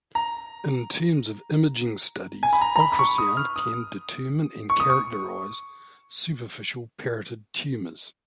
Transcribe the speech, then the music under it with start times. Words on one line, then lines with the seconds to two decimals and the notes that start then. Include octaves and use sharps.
In terms of imaging studies, ultrasound can determine and characterize superficial parotid tumors.
0.15 A#5
2.43 G#5
2.53 B5
2.61 A#5
2.76 A#5
2.80 B5
2.92 B5
2.99 C#6
3.18 D#6
3.37 F6
3.56 D#6
4.70 C#6
4.80 D#6
4.90 C#6